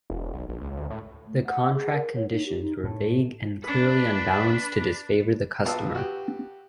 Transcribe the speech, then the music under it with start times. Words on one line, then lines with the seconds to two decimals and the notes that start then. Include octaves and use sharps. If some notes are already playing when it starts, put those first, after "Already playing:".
The contract conditions were vague and "clearly unbalanced to disfavor the customer".
0.10 E1
0.33 B1
0.49 A#1
0.61 C#2
0.77 D2
0.90 A2
1.27 A3
1.47 F#5
1.73 G#4
1.92 A#4
2.16 C#5
2.32 D#4
2.46 G4
2.61 D#4
2.84 A2
3.63 D4 B4
5.65 A#1 B3 F4 F5 A5 E6
5.95 F#4 G4